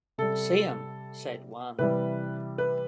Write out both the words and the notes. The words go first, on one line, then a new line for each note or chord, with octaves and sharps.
'See 'em,' said one.
C3 G3 A4
C3 E3 G3 B4
B4